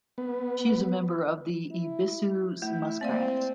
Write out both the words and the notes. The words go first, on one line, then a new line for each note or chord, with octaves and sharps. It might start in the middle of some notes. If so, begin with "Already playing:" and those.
She's a member of the Ebisu Muscats.
B3
E4
A3 E4
A#3 C4 D5 F5